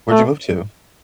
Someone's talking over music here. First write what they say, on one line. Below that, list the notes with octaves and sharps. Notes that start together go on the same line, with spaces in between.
Where'd you move to?
A3